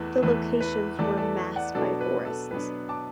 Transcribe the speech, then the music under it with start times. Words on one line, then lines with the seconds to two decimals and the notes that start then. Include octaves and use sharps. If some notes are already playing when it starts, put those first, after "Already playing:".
The locations were masked by forests.
Already playing: E2 E3 A3 B4
0.22 E2 E3 A3 B4
0.61 B4
0.98 E2 E3 A3 A4 D5
1.18 A4 D5
1.56 D5 F#5
1.75 B2 F#3 B3 D4 A4 D5
2.01 B4
2.25 A4
2.51 B2 F#3 B3 D4 B4
2.89 A5 D6